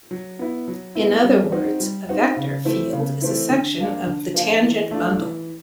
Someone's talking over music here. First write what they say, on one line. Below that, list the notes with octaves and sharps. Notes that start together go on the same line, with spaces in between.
In other words, a vector field is a section of the tangent bundle.
F#3
B3 E4
F#3
B3 E4
G3
C4 D#4 F#4
G3
C4 D#4 F#4
C#3
E3 A3 C4 E4
C#3
E3 A3 C4 E4
D3
F3 A#3 D4 F4
D3
F3 A#3 D4 F4
E3
A3 D4 F4
E3